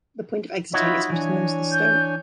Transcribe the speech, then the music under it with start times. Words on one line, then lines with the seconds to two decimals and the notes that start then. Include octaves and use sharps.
The point of exiting is what is known as the stoma.
0.73 D#4 F4 F#4 C#5 E5 B5
1.10 E3 D4 C#5 G#5
1.72 G6